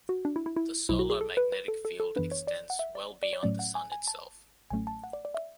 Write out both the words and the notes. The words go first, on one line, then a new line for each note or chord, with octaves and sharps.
The solar magnetic field extends well beyond the Sun itself.
F#4
D4
E4
E4
E4
B1 B2 F#3 E4
F#4
G#4
A4
B4
B4
A4
A4
A4
F#2 E3 B3 D4 B4
C#5
D5
F#5
E5
D5
D5
C#5
A2 F#3 A3 C#4 D5
F#5
G#5
G#5
A5
A1 A2 F#3 A3 C#4 G#5
A5
F#5
D5
D5
E5